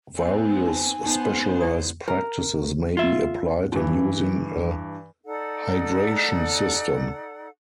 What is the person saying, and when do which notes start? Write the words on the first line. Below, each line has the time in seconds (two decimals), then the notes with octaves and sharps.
Various specialized practices may be applied in using a hydration system.
0.17 B3 C4 G#5
0.67 D#4
1.03 B3 D#4 C5 C#6
1.61 E4 D5 D#6
2.08 A#4
2.97 F4 E5
3.72 G2 E3
5.26 D#4 A4 D5 F#5